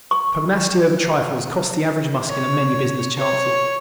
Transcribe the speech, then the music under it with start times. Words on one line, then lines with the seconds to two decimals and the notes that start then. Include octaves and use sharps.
Pugnacity over trifles costs the average Muscular many business chances.
0.11 C#6
2.28 C#5
3.17 C#5